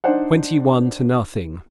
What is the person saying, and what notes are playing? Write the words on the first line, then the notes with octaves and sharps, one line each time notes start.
"Twenty-one to nothing."
D4 D#4 C5 F#5